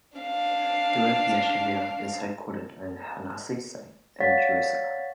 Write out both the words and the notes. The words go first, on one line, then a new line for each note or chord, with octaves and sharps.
The Web Yeshiva is headquartered on HaNassi Saint, in Jerusalem.
D4 F5
C#5 D5 F5 F#5 A6 B6